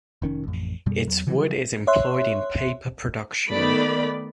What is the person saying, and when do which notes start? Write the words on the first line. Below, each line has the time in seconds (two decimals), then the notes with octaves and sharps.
Its wood is employed in paper production.
0.22 F1 D#3 C#4
0.44 A1 F2
0.86 F#2 B2 G3
1.07 E2 F#3
1.27 C#3 E3 F#3 G3
1.87 C#5 E5 C6 F#6
3.49 D#3 A3 B3 D5 B5